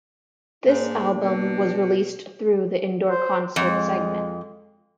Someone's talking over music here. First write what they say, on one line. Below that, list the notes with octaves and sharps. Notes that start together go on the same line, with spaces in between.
This album was released through the Indoor Concert segment.
G#2 A#3 D4
B2
C5
F2 G#3